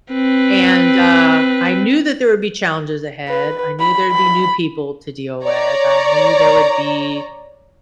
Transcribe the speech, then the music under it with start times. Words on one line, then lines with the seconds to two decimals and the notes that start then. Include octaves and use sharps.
and, uh, I knew that there would be challenges ahead, I knew there'd be new people to deal with, I knew there would be,
0.13 C4 B4
3.28 B4
3.80 B5
4.12 B5
5.44 C#5 D5 A#5